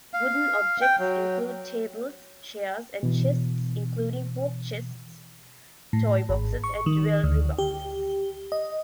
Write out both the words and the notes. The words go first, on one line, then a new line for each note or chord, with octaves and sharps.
Wooden objects include tables, chairs, and chests, including hope chests, toyboxes and jewelry boxes.
F5
G5
F#3
B2 E3
A2
G#1
C#6
D#3
D2
G4
D#5